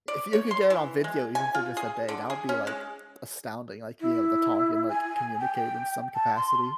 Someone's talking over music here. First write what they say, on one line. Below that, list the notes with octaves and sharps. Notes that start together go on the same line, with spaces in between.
If you could get it on video, even for, just, a day, that would be, like, astounding, like, being able to talk, and, like, communicate in some capacity.
D5
C#5
C6
E3
G#3
G#5
F4
G#4
D3
G#4
C#4
G#3
E4
G#5
G5
A5
C6